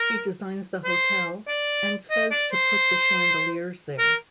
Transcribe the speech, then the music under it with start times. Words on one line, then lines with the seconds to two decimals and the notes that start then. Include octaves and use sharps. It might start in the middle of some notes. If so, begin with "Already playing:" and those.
He designs the hotel and says to put the chandeliers there.
Already playing: A#4
0.85 C5
1.47 D5
2.10 D#5
2.31 D5
2.52 C5
3.99 A#4